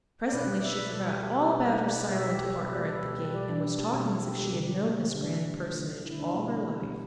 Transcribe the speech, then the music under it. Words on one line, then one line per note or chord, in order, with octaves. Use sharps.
Presently she forgot all about her silent partner at the gate and was talking as if she had known this grand personage all her life.
D5
B2 A3 B4
D5
E5
D5
B2 G3 A4
G4
A4
B2 B4
G3
G4
D5
B2 G3 E5
G4
A4
B4
B2 A3 D5
A4
B4
G4
B2 G3 D5
D4
D4
G4
B2 G3 A4
A4
G4
D3 G3
D3 A3 D4
D3 A3
E4
D4
B2 G3 B3
D4